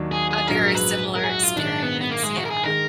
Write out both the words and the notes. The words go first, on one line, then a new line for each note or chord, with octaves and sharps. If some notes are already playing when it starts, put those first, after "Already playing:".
A very similar experience, yeah.
Already playing: D#2 D#3 F#3 D4
G#4
G#4
A#1 G#2 F#3 A#4
B4
A#4
G#4
F#4
F4
A#1 G#2 D#3 D4
B3
B3
A#3
G#3
F#4
A#4
G#4
D#3 G#3 A#4